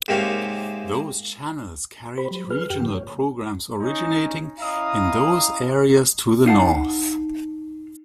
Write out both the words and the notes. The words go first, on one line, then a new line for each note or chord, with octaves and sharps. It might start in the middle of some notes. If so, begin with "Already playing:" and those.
Those channels carried regional programs originating in those areas to the north.
G#2 C3 A#3 G4 C#5 F5
G4 C5 B5
F#3
G#4 B4 F6
F#2 G4 G5
G#2 D3 F3 A#3
C#5
C#4 D#4
C#4 E4 D#5 F5 A#5 D#6
D#4 F5 F#5 A5